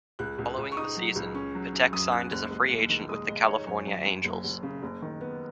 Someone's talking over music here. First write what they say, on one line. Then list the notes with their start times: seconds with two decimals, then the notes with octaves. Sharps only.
Following the season, Patek signed as a free agent with the California Angels.
0.19 C#2 F#6
0.38 C#2
0.58 C#2
0.72 C#6
0.77 D#4 D#6
0.97 F#3
1.16 C#2
1.35 C#4
1.55 F#3
1.73 C#4
1.92 F#2 D#6
2.12 C#4 F#6
2.31 F#1 F#6
2.51 G#3
2.70 D#2
2.89 D#3
3.09 G#3 D#6
3.27 G#3 D#5
3.47 D#4 C#5
3.66 F#2 C#5
3.86 F#2
4.05 F#2
4.24 F#1
4.44 F#1
4.63 C#3
4.82 F#1
5.02 D#3
5.21 B3